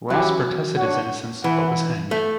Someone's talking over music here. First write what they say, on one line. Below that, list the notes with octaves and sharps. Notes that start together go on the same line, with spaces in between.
Ross protested his innocence but was hanged.
F#3 C#4 E4 G4
D4 F#4 C#5 F#5
E3 E4 B4 F#5
A3